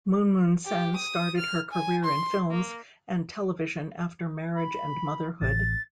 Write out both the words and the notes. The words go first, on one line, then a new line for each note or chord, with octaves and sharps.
Moon Moon Sen started her career in films and television after marriage and motherhood.
G4
D#6
F6
G#5
C6
A#3
B5
A1 A6